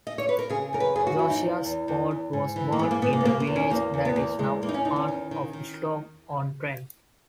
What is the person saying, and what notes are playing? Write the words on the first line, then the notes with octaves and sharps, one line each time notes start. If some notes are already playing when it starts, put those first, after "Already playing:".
Josiah Spode was born in a village that is now part of Stoke-on-Trent.
D#5
C#5
B4
A#4
C#3 G#4
F#2 A#4
B4
F#2 G#4
F#4
E3 E4
D#4
E2
E2
E2
E2
G#2
E3
A#3
G#2 B3
A#3
G#2 B3
A#3
B3
B2 A#3
A#3
E2
C#4
E2 A#3
E2
B3
E2 A#3
E2 G#3
E3 A#3
D#4
C#4
E2 D#4
C#4
D#3
D#3
D#3